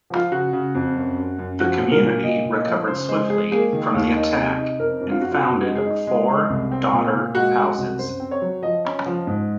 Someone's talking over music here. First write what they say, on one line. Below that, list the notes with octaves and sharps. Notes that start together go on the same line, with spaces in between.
The community recovered swiftly from the attack and founded four daughter houses.
F3
F4
C#3 F#4
C#3
F2
F#2
F#2
F#2
F3 F#4
A#2
A#4
A#2
A#2 D#5
A#2
D#5
F3
C#3 C5
G#3 C5
G#3 G#4
A#3 G#4
D#3
D#2
D#4
C3
D#4
F2 A#4
F2
F4
F2 F#4
F4
F#2 F#4
G#3
G#4
D#4
G#3
G#3
C2
C4
A#2
A#2
G#3 F#4
G#3
F#4
C2
F#2 C5
C4
C#5
F#3
F3 D#5
C#4
F3
G#2